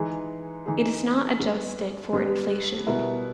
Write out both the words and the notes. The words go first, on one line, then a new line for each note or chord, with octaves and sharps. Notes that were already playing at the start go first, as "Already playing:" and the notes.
It is not adjusted for inflation.
Already playing: E3 G#3 D#4 G#4
E3 G#3 D#4 G#4
G2 G3 B3
G2 G3 B3
B2 G3 B3 E4 A#4